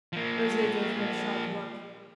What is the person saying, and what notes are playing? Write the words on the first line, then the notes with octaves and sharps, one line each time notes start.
Rosier gave her a sharp look.
F3 A#3